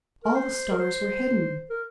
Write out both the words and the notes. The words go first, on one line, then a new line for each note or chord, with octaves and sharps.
All the stars were hidden.
A#4
C5
A#4
C5
A#4